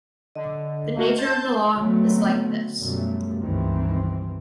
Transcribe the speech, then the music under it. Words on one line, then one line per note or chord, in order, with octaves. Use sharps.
The nature of the Law is like this.
D3 D#5
A3 A#3 F#4
C5 A5 G6
D3 F#3 A3 B3 C4
F#2 B2 F3 G3 A3
C#2 G2 D#3 E3 C4